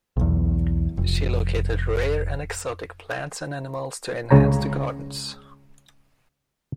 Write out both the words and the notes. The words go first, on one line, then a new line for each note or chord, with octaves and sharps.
She located rare and exotic plants and animals to enhance the gardens.
B1 E2
F1
C#2 C#3 C#5 A#5